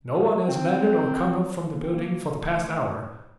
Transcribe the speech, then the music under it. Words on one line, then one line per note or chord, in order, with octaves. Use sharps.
No one has landed or come up from the building for the past hour.
C4
A#3
C4
A#3
A3